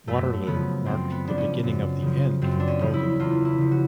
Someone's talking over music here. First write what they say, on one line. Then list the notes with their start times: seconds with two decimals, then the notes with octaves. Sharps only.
Waterloo marked the beginning of the end for Napoleon.
0.08 F#2 A3
0.47 C#3 F3 B3
0.85 F#2 C4
1.12 B3
1.25 C#3 F3 D4
1.38 C#4
1.63 F#2
2.02 C#3 F3
2.42 F#2 C4
2.60 D4
2.68 C#4
2.81 C#3 F3
2.94 E4
3.19 E2 F4
3.45 E4
3.58 C#3 F3
3.72 F#4